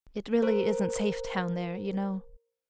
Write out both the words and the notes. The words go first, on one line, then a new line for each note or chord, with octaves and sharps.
"It really isn't safe down there, you know."
A#4 C5